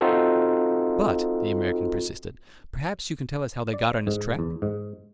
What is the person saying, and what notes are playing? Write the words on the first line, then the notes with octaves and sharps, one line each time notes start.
"But," the American persisted, "perhaps you can tell us how they got on his track?"
C4 D#4 F4 F#4 A4
D5
G#2
E2
G#2